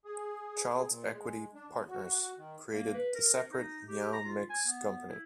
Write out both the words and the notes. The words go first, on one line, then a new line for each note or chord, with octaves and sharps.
Childs Equity Partners, creating the separate Meow Mix Company.
G#4
G#4
A#2
G#3
D4
E2
F#4
D#3
A#3
B4
A#4
D#4
G4
A#5
F4
G#5
B3
E4